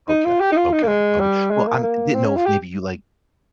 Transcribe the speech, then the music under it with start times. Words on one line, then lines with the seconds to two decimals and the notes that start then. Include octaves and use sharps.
Okay, okay, okay. Well, I'm didn't know if maybe you, like,
0.09 D#4
0.25 F4
0.40 G4
0.52 D#4
0.56 F4
0.72 D#4
0.83 A#3
0.87 G#3
1.20 G3
1.51 G#3
1.67 A#3
1.83 A#3
2.14 C4
2.25 C#4
2.36 F4
2.46 G4